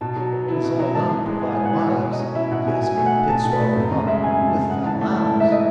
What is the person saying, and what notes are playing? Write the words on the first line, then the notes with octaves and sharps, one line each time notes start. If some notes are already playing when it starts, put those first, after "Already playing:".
It is all done to provide wives--yes, may the pit swallow them up!--with fal-lals.
B2 A5
F#3
B3
E4
B2
F#3
G#2 A5
E3
G#3
B3 G#5
G#2
F#5
E3
B2 C#5
F#3
D#5
C#4
E4 E5
B2 F#5
F#3 G#5
B2 G#5
A3
F#5
D#4
B2 A5
B2
B4
A3
F#2
C#3 D#5
G#3 E5
F#2 G#5
F#2
A5
C#3
G#2 F#5
E3 A5
A3 A5
E4 A5
G#2 A5
E5
E3 D#5